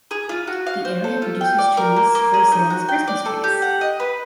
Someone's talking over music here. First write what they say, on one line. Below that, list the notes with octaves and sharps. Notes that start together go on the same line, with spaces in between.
The area produces trees for sale as christmas trees.
G#4
F4
F#4
F5
C5
A4
F4
G5
D5
A#4
A#3
A#3
G#4
D#4
F#4
G5
D5
A4
G4
F#5
D#5
B4